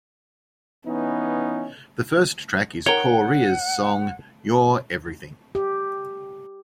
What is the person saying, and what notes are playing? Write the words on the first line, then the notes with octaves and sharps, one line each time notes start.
The first track is Corea's song, "You're Everything".
E3 B3 C#4 D#4
D#4 A#4 C#5 F#5 G5
G4